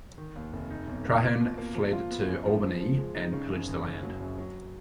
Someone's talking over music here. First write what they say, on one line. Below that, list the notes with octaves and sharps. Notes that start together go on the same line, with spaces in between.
Trahern fled to Albany and pillaged the land.
D#3
D#2
F1
D#4
B1
A#3
F4
B2
A#3
F3
F4
B3
F#2
F3
F3
F3
G#3
D#4
C#3
F#1
F#1
C#3
F#3
F#2
F#3